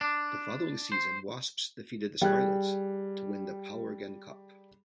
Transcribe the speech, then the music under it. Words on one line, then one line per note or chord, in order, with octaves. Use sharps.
The following season Wasps defeated the Scarlets to win the Powergen Cup.
D4
C5
G3 G4 G#4 F#6 G#6